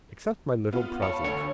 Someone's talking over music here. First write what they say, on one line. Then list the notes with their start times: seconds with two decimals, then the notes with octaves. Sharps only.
Accept my little present.
0.73 B3 F4
1.02 C#5 F5 A5 B5
1.24 D2 D3 C#5